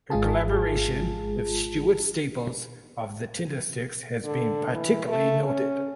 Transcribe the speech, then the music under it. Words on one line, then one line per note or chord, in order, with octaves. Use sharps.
Her collaboration with Stuart Staples of the Tindersticks has been particularly noted.
G#1 G#3 F4 G#4 A5
D3
E3
A3
C#4